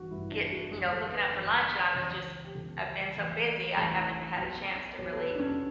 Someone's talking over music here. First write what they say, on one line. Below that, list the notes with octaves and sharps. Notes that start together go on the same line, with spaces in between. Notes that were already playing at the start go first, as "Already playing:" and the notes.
get you know, hooking up for lunch, and I was just I've been so busy I haven't had a chance to really
Already playing: A1 G2 E3 F#4
A1 G2 E3 E4
D4
F#4
A1 G2 D3 G4
A4
B4
A1 G2 D3
C#2 C#3 E3
G4
C#2 C#3 E3 A4
A1 A2 E3
A1 A2 E3 A4
B1 B2
B1 B2 C#5
A4
B4
D4
C#4